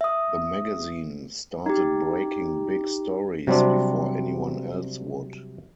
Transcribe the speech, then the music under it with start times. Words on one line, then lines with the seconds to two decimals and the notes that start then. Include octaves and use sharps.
The magazine started breaking big stories before anyone else would.
0.01 E5 D#6
1.66 D#4 G4
3.47 C3 F#3 G3 C4 D4